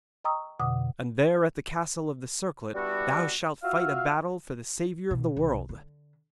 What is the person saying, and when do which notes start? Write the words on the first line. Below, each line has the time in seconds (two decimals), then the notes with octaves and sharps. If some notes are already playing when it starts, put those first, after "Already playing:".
And there at the Castle of the Circlet thou shalt fight a battle for the Saviour of the world.
0.24 D#5 G5 A#5 C#6 D#6 E6
0.59 F2 B2 D3 F#5 D6 D#6
2.75 G3 B3 D4 E4 F#4
3.63 F4 F#4 E5 F5
5.11 B2
5.37 C2
5.69 D3